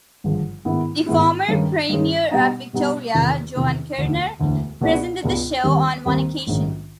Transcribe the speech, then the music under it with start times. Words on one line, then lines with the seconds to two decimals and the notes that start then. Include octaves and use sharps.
The former Premier of Victoria, Joan Kirner, presented the show on one occasion.
0.24 G#1 G2 D3 F3 G#3
0.65 G#2 D#3 G#3 B3 E4
1.06 G#2 D#3 G#3 B3 E4
1.48 G2 D#3 G#3 C#4
1.89 G2 D#3 G#3 C#4
2.31 B2 G3 B3 D#4
2.73 B2 G3 B3 D#4
3.14 E2 C3 D#3
3.56 E2 C3 D#3
3.98 E1 D2 D3
4.39 E1 D2 D3
4.81 C#2 B2 G#3 B3 D4
5.22 C#2 B2 G#3 B3 D4
5.64 D#2 D#3 G3 C4
6.05 D#2 D#3 G3 C4
6.47 A#1 G#2 D#3 G#3 C#4